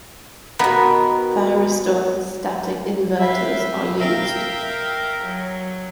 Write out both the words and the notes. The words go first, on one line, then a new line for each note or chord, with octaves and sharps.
Thyristor static inverters are used.
B2 D#3 B3 A#4 B5
B4 E5 F5 G5
A#4 E5 F5 G5
F#3